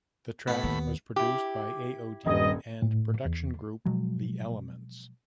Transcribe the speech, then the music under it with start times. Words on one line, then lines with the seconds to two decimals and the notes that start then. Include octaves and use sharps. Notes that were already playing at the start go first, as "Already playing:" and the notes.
The track was produced by AoD and production group The Elements.
0.48 A2 B3 B5
0.64 D#2
1.16 E4 G4
2.26 D#1 G2 D#5
2.82 A2
3.25 E2
3.85 B2 F3 F#3 G#3